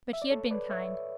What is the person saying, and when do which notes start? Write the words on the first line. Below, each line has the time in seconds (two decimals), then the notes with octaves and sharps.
But he had been kind.
0.13 E5
0.22 D5
0.31 A4 C#5
0.51 B4 D5
0.71 C#5 E5